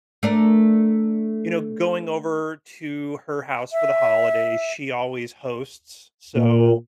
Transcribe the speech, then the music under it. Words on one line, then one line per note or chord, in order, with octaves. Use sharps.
you know, going over to her house for the holidays, she always hosts, so
A3 D4 A#4
E5
A#2